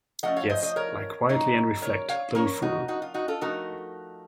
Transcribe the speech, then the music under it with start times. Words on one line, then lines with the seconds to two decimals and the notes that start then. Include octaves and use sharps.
Yes, lie quietly and reflect, little fool!
0.23 F3 A3 C#4 D#5 F#5
0.36 C#5 F5
0.49 C5 D#5
0.62 C5 D#5
0.76 A#4 C#5
1.29 C#3 F#3 A#3 D#4
1.82 A#4 C#5
2.09 C#5 F5
2.35 F3 A#3 C#4 A#4 C#5
2.62 D#4 F#4
2.88 D#4 F#4
3.02 F4
3.14 D#4 F#4
3.28 F4 A4
3.41 F3 A3 D#4 F#4 A#4